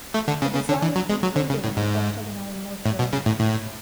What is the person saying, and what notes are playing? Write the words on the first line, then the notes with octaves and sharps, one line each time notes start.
The design included an octagonal mortuary.
A3
D3
C#3
C#3
D3
E3
F#3
G#3
F#3
D3
C#3
A2
G#2
A2
B2
C#3
A2
A2